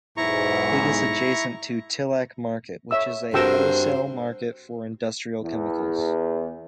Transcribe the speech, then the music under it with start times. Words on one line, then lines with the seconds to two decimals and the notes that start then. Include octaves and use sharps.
It is adjacent to Tilak Market which is a wholesale market for industrial chemicals.
0.17 B1 E2 G#2 E4 A#5 C#6
2.91 C#5 E5 E6
3.34 G2 C4 F#4 A4 A#4 C5 G5 E6
5.42 E2